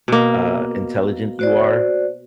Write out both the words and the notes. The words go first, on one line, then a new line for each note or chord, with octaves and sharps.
uh, intelligent you are.
B2 A#3
F#4 C5 D5